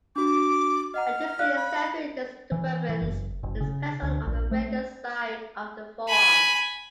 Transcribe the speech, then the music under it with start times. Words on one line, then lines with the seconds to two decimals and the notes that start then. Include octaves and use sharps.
A discrete sensory disturbance is present on the radial side of the forearm.
0.16 D4 F#4 D6
0.94 D#5 F#5 A#5 F6
1.39 D5 F5 F#6
1.56 B5
2.52 E3
2.89 E3
3.02 F#1
3.43 F#1
3.61 C#3
4.03 D2
4.27 A#1
4.51 A3
6.08 G#5 B5